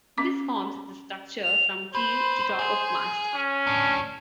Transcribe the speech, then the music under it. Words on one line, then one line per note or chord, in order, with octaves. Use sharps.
This forms the structure from keel to top of mast.
C#4 D6
F7
B4 C5
G#4
C#4
A2 D4